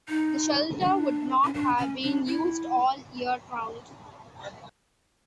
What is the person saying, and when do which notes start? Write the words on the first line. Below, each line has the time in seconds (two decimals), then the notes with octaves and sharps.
The shelter would not have been used all year round.
0.09 D#4
0.82 D4
1.44 C#4
1.54 D4
1.78 C#4
2.02 D4
2.27 E4